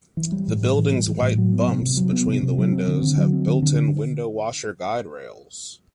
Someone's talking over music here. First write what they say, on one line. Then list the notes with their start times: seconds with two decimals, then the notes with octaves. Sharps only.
The building's white 'bumps' between the windows have built in window-washer guide rails.
0.17 E3
0.32 G3
0.48 A2
0.63 A2
0.78 E3
0.92 G3
1.08 A2
1.22 A2
1.38 F#3
1.53 B3
1.68 C3
1.82 C3
1.97 F#3
2.12 B3
2.28 C3
2.43 C3
2.58 F#3
2.72 C4
2.87 D3
3.02 D3
3.18 F#3
3.33 C4
3.47 D3
3.62 D3